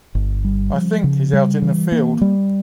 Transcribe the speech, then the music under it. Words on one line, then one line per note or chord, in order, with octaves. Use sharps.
I think he's out in the field.
G1
G3
F3
C#3
G3
E3
A#3
G3